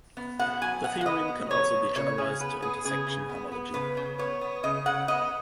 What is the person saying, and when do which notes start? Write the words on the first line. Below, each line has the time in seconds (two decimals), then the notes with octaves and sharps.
The theorem can also be generalized to intersection homology.
0.17 B3
0.39 B2 F#5
0.61 F#3 G#5
0.84 B2 F#5
1.01 F#5
1.06 B3 D#5
1.28 B2
1.51 F#3 C#5
1.74 B2
1.96 C#3 C#5
2.18 C#3 G#4
2.40 B3 B4
2.62 B3 G#4
2.85 C#3 G#4
3.07 C#3
3.29 B3
3.52 B3
3.74 C#3 B4
3.97 C#3
4.18 B3 C#5
4.41 B3
4.63 C#3 D#5
4.86 C#3 F#5
5.08 B3 D#5